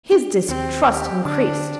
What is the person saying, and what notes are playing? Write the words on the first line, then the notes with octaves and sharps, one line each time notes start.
His distrust increased.
D4
D#2 C4
G4
D3 D4